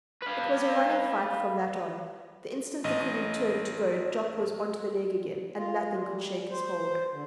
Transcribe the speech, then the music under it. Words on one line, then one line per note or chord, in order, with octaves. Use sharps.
It was a running fight from that on: the instant the koodoo turned to go Jock was on to the leg again, and nothing could shake his hold.
B4 F5
A1 D#5
F4
G3
C5
D3